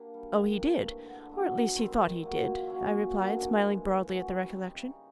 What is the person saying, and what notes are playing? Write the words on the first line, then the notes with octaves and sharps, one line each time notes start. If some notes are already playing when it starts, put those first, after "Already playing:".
"Oh, he did--or at least he thought he did," I replied, smiling broadly at the recollection.
Already playing: A#3 D4 G4
G3
A#3 D4 G4
E3
A3 D4
D3
F#3 B3 E4
G#2
D#3 G3 C4
D#3
F#3 A#3
A#2
F#3 A#3 C#4
F#2
D3 F#3 A#3
G#2
E3 G#3
G#3
C#4 F#4
G3
C4 D#4
C#3